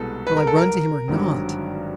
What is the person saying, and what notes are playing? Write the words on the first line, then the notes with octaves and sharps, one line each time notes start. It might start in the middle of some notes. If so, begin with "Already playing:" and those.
Shall I run to him or not?
Already playing: C2 B2 G#3 B3 A4
B4
A#4
A4
A#4
G#1 G2 D3 F#3